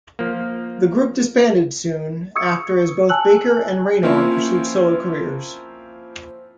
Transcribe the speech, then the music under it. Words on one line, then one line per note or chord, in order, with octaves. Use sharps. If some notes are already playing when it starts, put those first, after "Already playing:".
The group disbanded soon after as both Baker and Rayner pursued solo careers.
F3 A#3
C#6 D#6 E6 G#6 C#7
G#5 A5 E6 F#6 F#7
F3 A#3 C4 C#4 E4